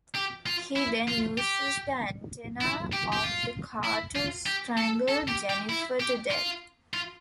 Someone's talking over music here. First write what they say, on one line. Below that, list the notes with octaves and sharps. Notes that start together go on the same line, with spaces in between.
He then uses the antenna of the car to strangle Jennifer to death.
G4
F4
E4
F4
G4
E4
G4
G4
F4
E4
F4
G4
A4
A4
G4
G4
E4
G4
F4
F4